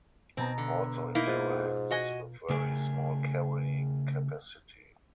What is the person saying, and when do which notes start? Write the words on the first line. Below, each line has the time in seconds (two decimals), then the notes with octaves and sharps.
Also in terrains with very small carrying capacity.
0.37 B2 B3 C4 A#5
0.58 D3
1.15 A#3 D#4 E4
1.27 G#2 F4
1.91 F#4 D#5 G#5
2.50 C#3 A3 G#4 A#4